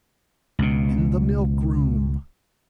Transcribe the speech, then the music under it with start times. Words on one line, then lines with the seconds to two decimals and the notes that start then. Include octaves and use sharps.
"In the milk-room."
0.59 C#2 B2